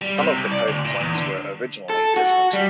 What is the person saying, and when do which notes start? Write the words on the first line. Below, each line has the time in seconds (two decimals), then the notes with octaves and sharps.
Some of the code points were originally different.
0.01 G3
0.18 C3
0.36 C2
0.52 D5
0.68 D2
0.85 A#2
1.01 E2
1.14 D3
1.90 A4
2.16 F#4
2.53 G3